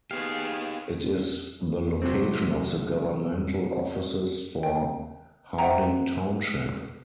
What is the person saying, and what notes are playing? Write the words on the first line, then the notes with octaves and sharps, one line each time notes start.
It is the location of the governmental offices for Harding Township.
B3 D#4 G4 G#4 F5
C3 F#3 C4
G5
C5 E5 F#5 G5 A#5